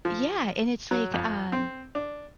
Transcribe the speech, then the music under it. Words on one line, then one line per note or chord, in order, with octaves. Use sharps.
Yeah, and it's like um,
F3
F#3
F2
C4
D4